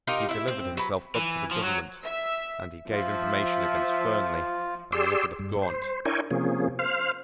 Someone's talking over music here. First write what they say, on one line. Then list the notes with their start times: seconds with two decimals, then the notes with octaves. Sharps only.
He delivered himself up to the government; and he gave information against Fernley and Elizabeth Gaunt.
0.07 D#4 F4 G4 A#4
0.29 E4 E5
0.48 C4
0.77 F#3 B4
1.15 E3
1.51 F3
1.63 F#3
2.04 E5
2.91 F3 F4 E5
4.92 G4 G#4 D5 C6 E6
5.39 G2
5.62 C5
6.05 D4 E4 A#4 C#5 G5 G#5
6.31 C3 F3 A#3 C#4 G#4
6.79 C5 F5 F6